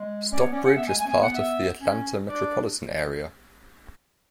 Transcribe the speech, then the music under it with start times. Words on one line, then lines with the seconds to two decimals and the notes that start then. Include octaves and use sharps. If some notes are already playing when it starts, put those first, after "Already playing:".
Stockbridge is part of the Atlanta metropolitan area.
Already playing: G#3
0.31 C#4 D5
0.39 B3 C#5
0.52 C#4 D5
0.63 C#4 F#5
0.75 B3 E5
0.87 G#3 G#5
0.98 A3 G#5
1.05 C#4
1.10 B3 G#5
1.22 B3 F#5
1.34 E5
1.81 C#4
2.28 D4 D5